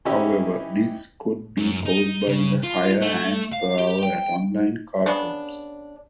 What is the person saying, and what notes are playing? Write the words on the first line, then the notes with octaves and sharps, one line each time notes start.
However, this could be caused by the higher hands per hour at on-line cardrooms.
E3 C#4 D#4 E4 G4 C#5
F#2
D#4
C#3
F4
A3
F5
G4
G5
C#3 B3 D4